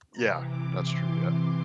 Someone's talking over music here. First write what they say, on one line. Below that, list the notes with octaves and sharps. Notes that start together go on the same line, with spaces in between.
Yeah. That's true. Yeah.
C3 E3 A#5
D6
C6
C6